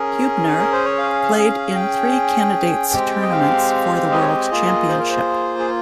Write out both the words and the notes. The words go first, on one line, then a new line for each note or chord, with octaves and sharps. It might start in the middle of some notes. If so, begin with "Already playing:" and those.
Hubner played in three Candidates Tournaments for the World Championship.
Already playing: C#4 G#4 A#4
A#4
C5
C#5
F5
C#4 G#4
G5
G#3 C4 G4
D#5
F5
D#5
C#5
D#5
A#3 F4 G#4
C5
A#4
C5
G#4